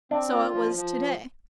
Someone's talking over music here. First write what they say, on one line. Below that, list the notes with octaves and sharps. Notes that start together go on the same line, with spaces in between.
So it was to-day.
C4 D4
F4
F3
F3